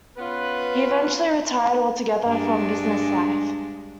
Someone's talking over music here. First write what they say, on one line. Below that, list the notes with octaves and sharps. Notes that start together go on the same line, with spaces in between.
He eventually retired altogether from business life.
B3 C#4 F4 B4
G2 G#3 D4